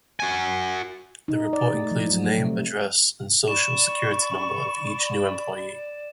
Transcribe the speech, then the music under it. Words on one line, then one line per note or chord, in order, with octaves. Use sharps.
The report includes name, address and Social Security number of each new employee.
F#4 G#5
D#4
D5
A3
F3
F#3
A3
C3
D5 B5 C#6 E7